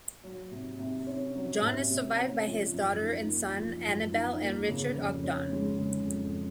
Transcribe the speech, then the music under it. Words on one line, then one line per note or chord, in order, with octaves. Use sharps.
John is survived by his daughter and son, Annabel and Richard Ogdon.
F#3
C3
C3
C#4
F#3
C3
C3
C#4
F3
F#2
D#4
A#3
F3
F#2
D#4
A#3
C#3
F2
C#4
G#3
C#3
F2
C#4